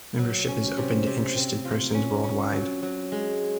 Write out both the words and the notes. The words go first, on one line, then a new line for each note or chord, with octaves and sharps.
Membership is open to interested persons worldwide.
F#3
C#4
C3
C3
C4
F4
C#4
C#4
F#3
F#3
G#3